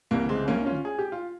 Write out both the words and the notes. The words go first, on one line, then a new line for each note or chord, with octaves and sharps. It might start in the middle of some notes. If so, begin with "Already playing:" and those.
Good morning.
C2 C3 E3 A#3
G#3 C4
A#3 C#4
C#4 F4
G#4
G4
F4